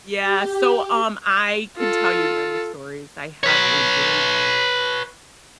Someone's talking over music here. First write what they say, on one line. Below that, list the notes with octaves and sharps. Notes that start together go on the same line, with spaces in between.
Yeah, so, um, I can tell you many stories. I have a very
G4
F4 A4
B4 C#5